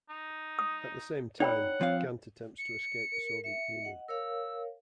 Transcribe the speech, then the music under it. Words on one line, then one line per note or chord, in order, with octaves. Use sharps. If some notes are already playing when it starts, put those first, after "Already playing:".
At the same time, Gant attempts to escape the Soviet Union.
D#4
D#6
D#4 C#5 D5 F#5 G5 B5
F3 C4 F5
C#7
A#4
E5 C#7
D#5 F#5
A#4 C#5 F5 E6